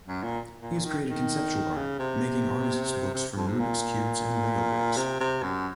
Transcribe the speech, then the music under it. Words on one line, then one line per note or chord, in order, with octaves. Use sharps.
He has created conceptual art, making artist's books from Rubik's Cubes and Lego bricks.
F#2
A#2
A#2
D#3
D#3
C#3
C3
C3
F2
G#2
A#2
C3
C3
F#2